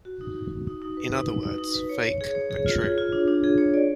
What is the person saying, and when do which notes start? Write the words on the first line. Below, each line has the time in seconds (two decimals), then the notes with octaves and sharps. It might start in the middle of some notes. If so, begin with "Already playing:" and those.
In other words, fake but true.
0.05 F#4
0.21 D#4
0.36 D#4
0.51 D#4
0.67 D#4
0.82 D#4
0.97 B4
1.12 D#4
1.29 D#4
1.43 D#4
1.58 D#4
1.74 B4
1.89 C#5
2.05 C#5
2.21 G#4
2.35 C#5
2.51 G#4
2.66 F4
2.81 G#4
2.98 F4
3.12 D4
3.28 D4
3.44 G#4
3.58 C#5
3.74 D5